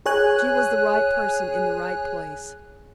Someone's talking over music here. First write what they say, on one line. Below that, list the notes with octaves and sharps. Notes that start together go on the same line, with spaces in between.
She was the right person in the right place.
G#4 C#5 G#5 F#6